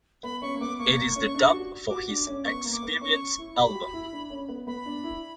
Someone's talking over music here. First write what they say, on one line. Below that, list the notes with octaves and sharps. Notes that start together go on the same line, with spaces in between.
It is the dub for his "Experience" album.
B3 B5
C#4 C#6
A#3
B3 D6
A#3 C#6
A#3
C#4
D4
F#4
F#4 D6
D4
C#4
B3 C#6
A#3
D6
B3
C#4 C#6
E4
G4 B5
F#4
E4
D4
C#4
B3
B3 B5
D4
E4